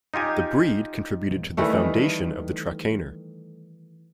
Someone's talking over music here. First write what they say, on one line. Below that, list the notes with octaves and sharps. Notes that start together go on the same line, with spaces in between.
The breed contributed to the foundation of the Trakehner.
D#4 F4 G4 G#5
D#3 E3 G3 A3